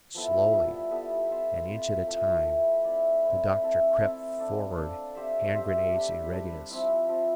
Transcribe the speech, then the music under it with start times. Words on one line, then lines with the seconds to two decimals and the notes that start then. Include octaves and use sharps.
Slowly, an inch at a time, the doctor crept forward, hand-grenades in readiness.
0.14 F3 B3 E4 A4
0.52 G3 B3 E4 A4
0.91 G3 B3 E4 A4
1.30 C4 F4 C5 E5
1.68 C4 F4 C5 E5
2.07 A3 E4 B4
2.45 A3 E4 B4
2.84 C4 E4 B4 D5
3.23 C4 E4 B4 D5
3.61 C4 E4 A4
4.00 C4 E4 A4
4.38 D4 A4 D5 F5
4.76 D4 A4 D5 F5
5.15 C4 G4 C5 E5
5.54 C4 G4 C5 E5
5.93 G3 D4 G4
6.31 G3 D4 G4
6.70 F3 C4 E4
7.08 F3 C4 E4